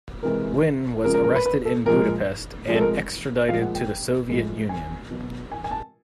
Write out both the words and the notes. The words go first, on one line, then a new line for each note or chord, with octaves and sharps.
Wynne was arrested in Budapest and extradited to the Soviet Union.
C3 E3 G#3 A#4
C#3 F3 G#3 A#4
A#4
A#4
B4
B4
A4
A#2 F3 G#3 A#4
C3 F3 G#3
A4
A#4
A#2 F3 G#3 F5
F#5
G5
A2 F3 G#3
G#5
B2 F#3
G#5
G#5
A5